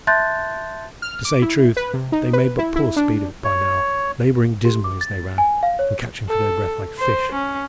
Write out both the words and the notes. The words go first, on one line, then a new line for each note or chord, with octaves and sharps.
To say truth, they made but poor speed of it by now, labouring dismally as they ran, and catching for their breath like fish.
E5 A5 C6 F#6 G6 A6
F6
D6
E4
B4
C3
D#4
B4
E4
E4
D4
C#5
G4
D6
A6
G#5
F5
C#5
A4
C5
C#4